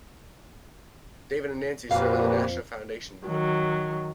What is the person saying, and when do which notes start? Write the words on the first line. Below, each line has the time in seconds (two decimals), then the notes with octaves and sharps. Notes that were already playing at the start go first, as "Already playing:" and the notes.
David and Nancy serve on the Nasher Foundation Board.
1.91 F2 A#2 F#4 G4 B4 F5
3.26 D#3 F#3